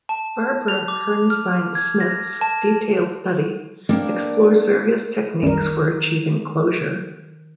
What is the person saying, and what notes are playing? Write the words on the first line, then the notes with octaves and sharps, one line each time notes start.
Barbara Herrnstein Smith's detailed study--explores various techniques for achieving closure.
A5
F7
D6
F6
G#6
A#6
A5
A#3 C4 D4 A#4 D5
C2 F#2 D#3 G3 A#4